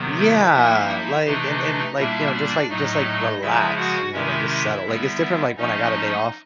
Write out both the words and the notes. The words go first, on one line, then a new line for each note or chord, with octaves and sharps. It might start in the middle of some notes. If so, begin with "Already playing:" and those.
Yeah, like, and and, like, you know, just, like, just, like, relax, you know, like, just settle, like, it's different, like, when I got a day off,
Already playing: C3 D#3 F#3 B3
E4 E5
F3 A#3 D#4 E4 E5
C3 E3 A3 D4 D#4 D#5
A#2 G3 A#3 D4 E4 E5
D4 D5
A2 F#3 A3 D#4 D#5
C#3 F3 G#3 E4 E5
F#4 F#5
C3 D#3 G#3 C#4 E4 E5
D3 G3 B3
F3 A3 C#4 D#4 D#5
D#4 D#5